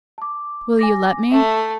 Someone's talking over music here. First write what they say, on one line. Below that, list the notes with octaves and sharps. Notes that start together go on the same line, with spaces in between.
"Will you let me?"
A5 D6
G#5 D6 A#6
A3 E5